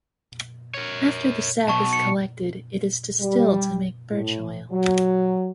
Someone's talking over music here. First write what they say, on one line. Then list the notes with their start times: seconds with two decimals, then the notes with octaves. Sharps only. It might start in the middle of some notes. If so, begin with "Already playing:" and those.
After the sap is collected, it is distilled to make birch oil.
0.74 A#4 C#5
1.68 B2 F#3 A5 C#6
1.93 C#7
3.20 G3
4.09 A2
4.71 F#3